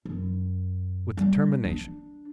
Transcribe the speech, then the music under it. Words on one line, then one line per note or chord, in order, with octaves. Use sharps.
'With determination.
F#2
G3
D4